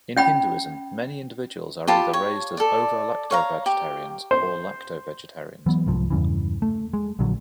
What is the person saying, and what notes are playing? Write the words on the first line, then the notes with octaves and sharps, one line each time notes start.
In Hinduism, many individuals are either raised as ovo-lacto vegetarians or lacto vegetarians.
C#4 G5 B5
F4 G4 A5 B5
C#5
A4 D5
C#5 F5 A#5
G4
C5
E3 F#3 B3
C2 G#2 F3
E2 G2 C#3 E3
A3
G#3
A#1 A#2 D3 F#3